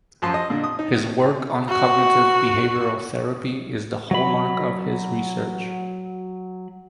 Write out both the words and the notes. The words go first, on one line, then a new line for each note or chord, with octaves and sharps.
His work on cognitive behavioral therapy is the hallmark of his research.
F#2 F3 A5 C6
D#5
A#2 D3
D#6
D#4
F#4
F#3 B5